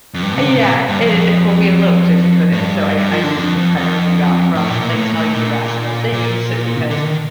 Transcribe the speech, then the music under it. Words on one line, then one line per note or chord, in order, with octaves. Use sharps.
Uh, yeah. And well, we eloped so he couldn't. So I I basically cut everybody off from, like, telling me rational things because
F2
G2
D3
C3
A2
A#2
G2
F2
A2
G2
G2
F3
D3
F2
F2
F2
A2
A#2
A#2
A2
A2
A#2
A#2
D3
D#3